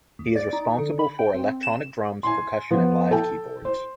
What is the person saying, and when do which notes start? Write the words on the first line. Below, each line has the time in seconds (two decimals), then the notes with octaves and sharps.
He is responsible for electronic drums, percussion and live keyboards.
0.19 D#2
0.36 D5
0.53 D#4
0.78 D3
0.99 B5
1.19 G5
1.34 C4
1.63 E7
2.23 G#5 C6
2.71 F3 B3 C5
3.11 A4 G5 A5
3.65 C5